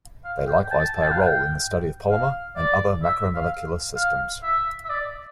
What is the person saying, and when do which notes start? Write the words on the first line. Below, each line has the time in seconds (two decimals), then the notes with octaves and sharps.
They likewise play a role in the study of polymer and other macromolecular systems.
0.25 F5
0.47 G5
0.63 G5
0.71 A5
0.95 A5
1.03 G5
1.11 F5
1.20 G5
2.11 F5
2.57 D5
3.03 E5
3.35 F5
3.96 F5
4.43 E5
4.85 E5
4.89 D5